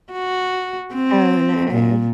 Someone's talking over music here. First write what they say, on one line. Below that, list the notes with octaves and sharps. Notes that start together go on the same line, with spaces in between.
Oh, no.
F#4
C4
A#2